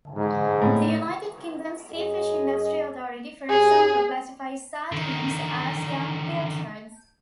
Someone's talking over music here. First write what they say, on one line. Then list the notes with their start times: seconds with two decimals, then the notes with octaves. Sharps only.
The United Kingdom's Sea Fish Industry Authority, for example, classifies sardines as young pilchards.
0.14 G#2
0.62 A2
1.93 F#2 G#4 D#5
3.49 F#2 G4 G#4
4.92 D3 D#3